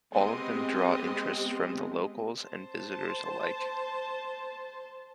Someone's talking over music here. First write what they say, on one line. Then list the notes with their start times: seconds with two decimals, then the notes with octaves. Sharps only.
All of them draw interest from the locals and visitors alike.
0.12 G#3 B3 C4 G4 D#5
2.44 C5 A5